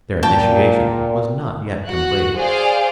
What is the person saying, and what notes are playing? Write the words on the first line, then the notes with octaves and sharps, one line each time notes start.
Their initiation was not yet complete.
A#2 G5 A5
F#4 F#6
G#4 C5 D5 F5